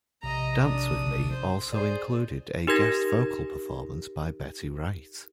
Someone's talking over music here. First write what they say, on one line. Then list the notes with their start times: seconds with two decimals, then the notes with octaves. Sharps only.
"Dance With Me" also included a guest vocal performance by Betty Wright.
0.23 A#1 C3 D#5 A#5
0.63 D4 D#6
1.31 C5
1.72 G#4 C5 D5
2.67 D#4 G4 A#4 G#6 A#6